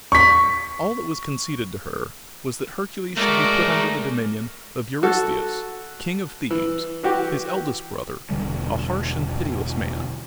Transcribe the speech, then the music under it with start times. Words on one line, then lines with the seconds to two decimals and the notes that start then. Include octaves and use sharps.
All that was conceded to her was that Hercules should be put under the dominion of Eurystheus, King of Thebes, his eldest brother, a harsh and pitiless man.
0.12 C#6 B6
3.17 G#3 A3 D#4 F#4 A#4 D5
5.03 F#4 A4
6.50 E3
7.03 E3 F#4 G4
8.30 E1 D3 G3